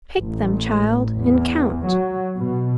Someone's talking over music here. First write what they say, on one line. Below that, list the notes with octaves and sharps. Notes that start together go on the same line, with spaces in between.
Pick them, child, and count.
A1
E2
F#3
B2